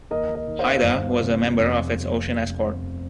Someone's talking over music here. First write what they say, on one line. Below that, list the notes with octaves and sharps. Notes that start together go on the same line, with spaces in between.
"Haida" was a member of its ocean escort.
D#2 A#4 D#5
A#4 D#5
D#3
C5 F5
G1
C3
F1